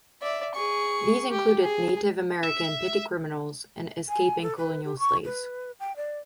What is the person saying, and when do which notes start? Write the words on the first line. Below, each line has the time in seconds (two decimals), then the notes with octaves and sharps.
These included Native American petty criminals and escaping colonial slaves.
0.22 D5 E5
0.55 G#4 C#6
1.30 G4
1.63 G#4
2.44 E5
4.09 G#5
4.42 A4
4.57 B4
4.85 G4
4.99 C#6
5.25 B4
5.80 G5
5.96 D5